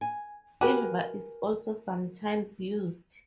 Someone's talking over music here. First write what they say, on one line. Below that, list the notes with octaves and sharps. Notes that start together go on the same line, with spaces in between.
Silver is also sometimes used.
G#5
F#4 G4 A#4 B4 G#5